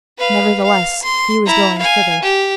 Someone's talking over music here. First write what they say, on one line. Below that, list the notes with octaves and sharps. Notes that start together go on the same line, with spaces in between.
Nevertheless, he was going thither.
B4 F5
F5
C6
E4 A#5
F5 G#5
G4